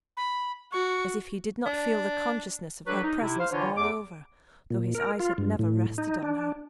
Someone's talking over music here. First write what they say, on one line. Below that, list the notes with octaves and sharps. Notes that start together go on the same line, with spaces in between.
As if he did not feel the consciousness of her presence all over, though his eyes had never rested on her!
B5
F#4 C#6
D4
F#3 D4 F#4 A4 B4
D#4
C3 E4
C5 F5
D3 E3 D4 F4 C#5
E2 D6
A#2
A#4
F4
G2
A2
D#4
D4